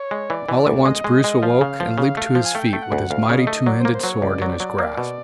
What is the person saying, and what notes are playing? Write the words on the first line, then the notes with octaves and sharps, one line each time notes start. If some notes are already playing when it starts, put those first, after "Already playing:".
All at once Bruce awoke and leaped to his feet with his mighty two-handed sword in his grasp.
Already playing: C#5
G#3
E3 D5
E3
D2
G#3 D#5
G#3
G#3
F3 F5
C#3
F3
C#3
A3
F3
G#5
A3 G5
A3
F#5
D2
D2 F5
C#3
D#5
A3
F#3 D5
C5
A#3
C5
F#3 C#5
C#2 D5
F#3
F#3
A#3
B2